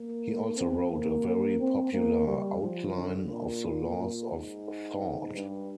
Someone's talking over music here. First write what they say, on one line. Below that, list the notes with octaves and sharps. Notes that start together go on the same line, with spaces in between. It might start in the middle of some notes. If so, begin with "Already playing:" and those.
He also wrote a very popular "Outline of the Laws of Thought".
Already playing: A#3
C4
A#3
C4
A#3
G3
F3
D3
A#2
A#2
G#2
G2